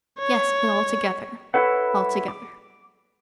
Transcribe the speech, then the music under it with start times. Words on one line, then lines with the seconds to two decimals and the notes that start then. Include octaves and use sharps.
"Yes, but altogether; altogether."
0.20 C#5
1.54 E4 A4 B4 C#5 F#5
2.28 D6